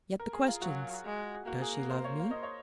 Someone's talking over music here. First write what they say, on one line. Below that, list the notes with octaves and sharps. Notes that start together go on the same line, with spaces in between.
Yet the questions--Does she love me?
A#4
G#4
F4
F#3 F#4
G#3
A#3 F#4
G#4
C5
C#5
F5
D#5
C#5